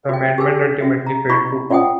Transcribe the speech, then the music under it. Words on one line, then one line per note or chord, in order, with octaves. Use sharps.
The amendment ultimately failed to pass.
F#4 G5
G4 G#4 B4 G#5 E6
C#4 F#4 E5
A#5
E4 B5 C#6
C#4 F4 C5 F#5 G5 D#6